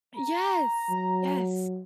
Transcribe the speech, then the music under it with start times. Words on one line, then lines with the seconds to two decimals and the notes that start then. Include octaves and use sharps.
Yes. Yes.
0.17 A#5
0.89 F#3